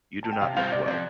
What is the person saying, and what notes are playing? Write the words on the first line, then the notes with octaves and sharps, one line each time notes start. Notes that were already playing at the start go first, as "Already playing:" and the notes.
You do not look well.
A5
G5
C3 F5
G3 C4 F4 C5 F5
C3 D5
F3 C4